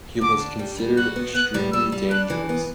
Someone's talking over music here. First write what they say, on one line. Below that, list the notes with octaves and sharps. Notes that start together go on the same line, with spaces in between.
He was considered extremely dangerous.
D3 D6
D4
G3
G3
F#4 F#6
B3
B3 F#6
G3
G3 E6
G3
D4 F#6
E3
B3